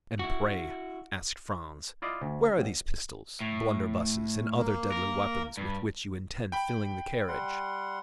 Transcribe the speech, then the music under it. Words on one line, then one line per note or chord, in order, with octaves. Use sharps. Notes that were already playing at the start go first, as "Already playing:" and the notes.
"And pray," asked Franz, "where are these pistols, blunderbusses, and other deadly weapons with which you intend filling the carriage?"
E4 F#4
E4 F4 D5 D#5
D2
A1
A2
A#3
A#4
G2
G5 B5
G3 F#5 C6